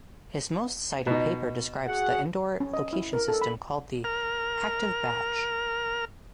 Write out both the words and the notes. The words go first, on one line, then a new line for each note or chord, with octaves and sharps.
His most cited paper describes the indoor location system called the Active Badge.
B2 D#4
F#4 G#4 F#5
C#4
D#5
E4
A#4
A4
B5
A#4 F6